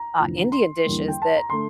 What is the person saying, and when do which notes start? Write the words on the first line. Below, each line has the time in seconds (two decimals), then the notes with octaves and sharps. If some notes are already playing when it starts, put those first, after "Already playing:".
uh, Indian dishes that,
Already playing: A#5
0.20 F1 E2 D3 F3
0.52 C6
0.84 E2 D3 G3 A#3
1.08 G5
1.22 A5
1.36 A#5
1.50 D3 A3 C6